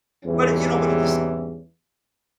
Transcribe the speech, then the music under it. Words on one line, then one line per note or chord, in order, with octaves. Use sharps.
But, eh, you know but, at the s
E2 G#2 C3 E3 G3 C#4